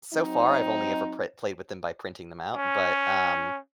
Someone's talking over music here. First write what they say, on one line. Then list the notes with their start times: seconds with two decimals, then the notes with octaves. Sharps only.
so far, I've only ever prey played with them by printing them out, but, um,
0.14 F#3 C4 D#4
2.56 C#4